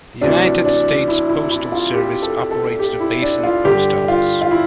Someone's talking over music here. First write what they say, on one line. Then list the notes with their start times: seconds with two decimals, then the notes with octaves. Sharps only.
The United States Postal Service operates the Basin Post Office.
0.21 D2 C3 E3 D4
0.65 D4
1.08 E4
1.29 E4
1.51 E4
1.72 F4
1.93 G4
2.22 A4
2.51 A4
2.79 G4
3.00 E4
3.22 D4
3.44 F4
3.65 G2 D3 G4
4.08 F4
4.42 F4
4.51 E4